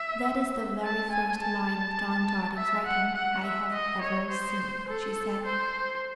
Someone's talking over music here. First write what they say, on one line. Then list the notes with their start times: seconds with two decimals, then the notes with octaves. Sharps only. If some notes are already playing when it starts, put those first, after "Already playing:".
"That is the very first line of John Jardine's writing I have ever seen," she said.
Already playing: E5
0.84 A5
1.12 G#5
1.42 A5
2.57 E5
2.86 F#5
3.15 F#5
3.44 E5
3.72 D#5
4.01 C#5
4.30 C5
4.88 A4
5.45 C5